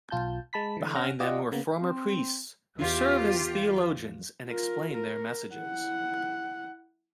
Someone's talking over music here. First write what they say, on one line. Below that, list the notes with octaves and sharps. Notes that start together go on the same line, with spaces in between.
Behind them were former priests who served as theologians and explained their messages.
B1 F4 A5 G6
G#3 A5 B5 B6
D3 E3
C#4 F#5 F6 A#6
F4 G4 D5 D#5 F#5
C#3 A#3 B3
C4
E2 F4 G4
F4 A#4
A#4
E4 F#5